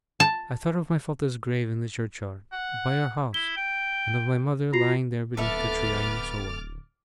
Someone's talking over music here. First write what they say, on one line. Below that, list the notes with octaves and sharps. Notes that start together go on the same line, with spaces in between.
I thought of my father's grave in the churchyard, by our house, and of my mother lying there beneath the tree I knew so well.
A5
F#5
E4 G7
G5
F4 F#4 A#5 C7
D1 B3 A4 E5 D6 F6 A6